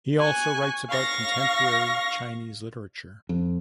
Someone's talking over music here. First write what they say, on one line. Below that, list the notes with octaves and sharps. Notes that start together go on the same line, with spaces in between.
He also writes about contemporary Chinese literature.
G#5 C#6 F#6
F5 C#6 A#6
F2